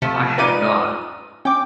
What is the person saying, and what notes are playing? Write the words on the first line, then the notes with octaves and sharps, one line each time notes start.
I have not.
C3 F3 A3
C#4 D#4 F4 B4 D5 D#7
C#4 G5 D6